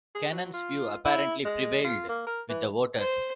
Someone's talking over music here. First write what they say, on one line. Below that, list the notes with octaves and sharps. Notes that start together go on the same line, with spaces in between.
Cannon's view apparently prevailed with the voters.
G#4
F#3
F4
E4
G#3
F4
A#3
A#4
E3
C5